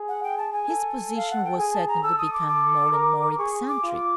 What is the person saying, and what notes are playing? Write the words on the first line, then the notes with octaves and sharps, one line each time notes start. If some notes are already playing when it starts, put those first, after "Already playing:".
His position was certainly becoming more and more eccentric.
Already playing: G#4
F#5
G5
A5
G#5
A4
F5
F#5
G5
G#4 G#5
A5
A#5
A4 E6
D#6
D6
D6
A#4
G#4 C#6
D6
F4